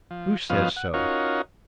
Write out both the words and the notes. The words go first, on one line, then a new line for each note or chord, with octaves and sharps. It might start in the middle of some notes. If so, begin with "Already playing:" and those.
"Who says so?"
F3
F2 F3 B3 C#4 D#5 F5
F#5
C#4 D#4 F4 F#4 A#4 C#5